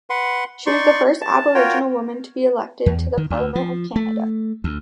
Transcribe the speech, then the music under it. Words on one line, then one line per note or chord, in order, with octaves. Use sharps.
She was the first Aboriginal woman to be elected to the Parliament of Canada.
B4 F#5 C6
D#4 D5 C6 C#6
A5
F4 F#4 A#4 C#5 G5
E2
D#3
D2
F3
A3
D2